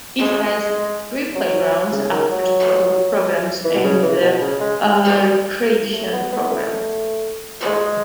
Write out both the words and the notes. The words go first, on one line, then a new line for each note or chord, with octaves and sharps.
It has three playgrounds, after-school programs, and a recreation program.
G#3
F#3
C#3
D#3
F#3
E3
B2
C#3
E3
B2
C#3
G#3
A3
B3
B3
A3
G#3